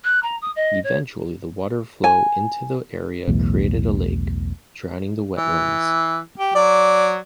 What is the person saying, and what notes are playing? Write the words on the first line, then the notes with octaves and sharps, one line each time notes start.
Eventually the water flow into the area created a lake, drowning the wetlands.
F#6
A#5
D#6
D#5
C#5
G#5
B1 E2 A2
E3
G4
F#3 D5